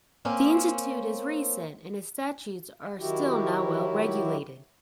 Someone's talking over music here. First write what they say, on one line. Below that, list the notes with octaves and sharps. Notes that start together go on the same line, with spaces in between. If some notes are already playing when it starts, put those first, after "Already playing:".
The institute is recent and its statutes are still not well regulated.
A#3 C4 C#4
D#3 F#3 E4 F#4 G4